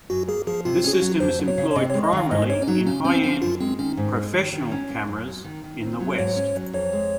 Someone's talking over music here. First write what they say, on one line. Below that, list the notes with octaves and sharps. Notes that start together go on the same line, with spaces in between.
This system is employed primarily in high-end "professional" cameras in the West.
F#2 F#4
A#3 G#4
F3 G#4
C3 F4
C#4 G#4
F#4
F#3
F2 C5
F#3
C#5
C#3
C#5
C3 D#5
G#3 C#5
D#5
D#3 F5
G#2 D#5
A#3 C#5
C#4
F#3 D#4
C#3 C#4
C4 C#4
F3 C#4
F#2 F4
G#3 C4
D#3 C#4
G#2
G#3
D#3
D#3
C#4
A#3
F#2
F#3
D#3
D#3
C4
F#3
G#2 C#5
C#4
F#3
F2 C#5
G#3